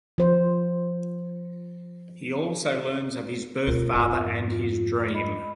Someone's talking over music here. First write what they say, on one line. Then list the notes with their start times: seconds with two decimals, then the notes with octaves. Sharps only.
He also learns of his birth father and his dream.
0.18 F3 C5
3.67 D2 B2 F4 A#4
3.93 F2 G#2
4.52 F4
5.14 D#5 B5